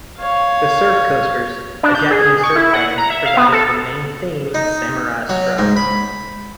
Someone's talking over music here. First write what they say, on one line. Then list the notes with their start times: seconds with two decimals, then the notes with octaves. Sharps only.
The Surf Coasters, a Japanese surf band, provided the main theme, "Samurai Struck".
0.18 C#5 F5
1.83 D4
1.95 G6
2.11 G#4
2.43 C#6
2.56 E4
2.74 F#5
2.98 A#5
3.10 E5
3.26 F5
3.37 B3
3.52 A4
4.54 D#4
5.29 F#3
5.58 G#2
5.76 B5